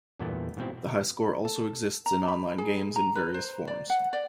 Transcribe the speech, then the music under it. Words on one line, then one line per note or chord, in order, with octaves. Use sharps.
The high score also exists in online games in various forms.
E2 G2 A#2 A3 B3 E4
G#2 B2 C4 E4
A4
A#5
B5
G#4
A#5
B4
C5
D5
F#5
D5